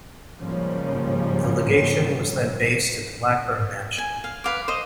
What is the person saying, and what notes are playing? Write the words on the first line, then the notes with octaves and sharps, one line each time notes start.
The legation was then based in the Blackburn mansion.
G#2 C#3 F3 G3 A#3 C#4
G#5
F5
B4 F5 D6
C5 D#5